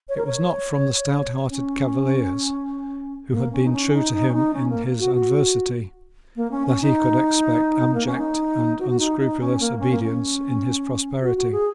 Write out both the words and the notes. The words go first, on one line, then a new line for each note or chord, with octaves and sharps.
It was not from the stouthearted Cavaliers, who had been true to him in his adversity, that he could expect abject and unscrupulous obedience in his prosperity.
C#5
A#4
C#5
C#4
A#3
C#4
D#4
C#4
D#4
D#4
C#4
D#4
C#4
A#3
F#4
F#4
A#3
C#4
C#4
D#4
A#3
C#4
D#4
F#4
F#4
D#4
D#4
C#4
A#3
C#4
A#3
C#4
F#4
F#4
G#4